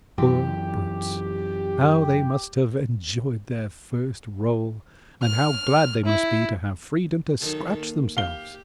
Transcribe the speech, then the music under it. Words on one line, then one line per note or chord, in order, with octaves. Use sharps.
Poor brutes, how they must have enjoyed their first roll, and how glad they must be to have freedom to scratch themselves!
F#2 E3 G4
F6
E4
D#3 F#3 A4
A#3
G4 F5 G7